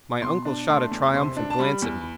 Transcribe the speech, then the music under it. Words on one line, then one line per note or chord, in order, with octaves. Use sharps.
My uncle shot a triumphant glance at me.
B2 C6
D4
A3 C6
E2
C3 C6
D4
A5
G3 B5
E2